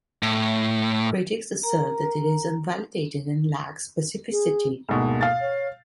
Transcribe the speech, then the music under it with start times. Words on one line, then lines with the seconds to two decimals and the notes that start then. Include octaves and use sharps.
Critics assert that it is unvalidated and lacks specificity.
0.23 A2
1.63 A#4 A#5
4.31 G#4
4.89 D2 G#2 B2 A#3
5.21 F5 A6
5.40 C#5